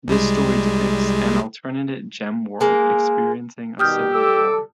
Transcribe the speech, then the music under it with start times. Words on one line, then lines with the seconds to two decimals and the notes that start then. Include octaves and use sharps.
This story depicts an alternate Gemworld experiencing a civil war.
0.08 C2 G3 G#3
2.61 G#3 A#3
3.79 B2 D#3 G3 G4 D#6 F6 G6
4.12 G3 A4 D6 E6